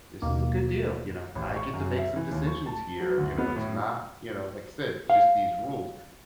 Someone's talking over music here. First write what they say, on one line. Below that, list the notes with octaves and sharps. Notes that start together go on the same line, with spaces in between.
This is a good deal, you know? I get to make some decisions here, you know? It's not, you know, like said, just these rules
D#2 B2 D#3 A#3
A1
C#6
F#2
E5
E3
D#2
C#6
A5
F#3
D2
B3
A2
F5